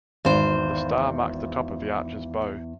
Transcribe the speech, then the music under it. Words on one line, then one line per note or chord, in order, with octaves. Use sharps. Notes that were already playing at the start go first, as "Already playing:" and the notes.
The star marks the top of the Archer's bow.
G#1 E2 C5